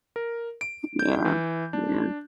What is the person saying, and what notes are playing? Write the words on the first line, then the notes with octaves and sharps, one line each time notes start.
Yeah. Yeah.
A#4
D7
G6
E3
D4